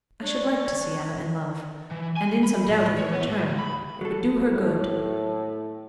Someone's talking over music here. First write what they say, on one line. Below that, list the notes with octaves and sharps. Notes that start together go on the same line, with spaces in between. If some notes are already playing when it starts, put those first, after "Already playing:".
I should like to see Emma in love, and in some doubt of a return; it would do her good.
D4 C#5
E3
G#5
B5
A2
C#5
B3
A2
D#2
B5
F#3 A4
A2